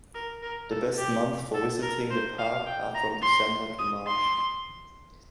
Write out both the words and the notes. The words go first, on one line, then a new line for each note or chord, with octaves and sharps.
The best months for visiting the park are from December to March.
A#4
A#4
A4
G4
A4
A#4
C5
F5
G5
A#5
C6
D#6
C6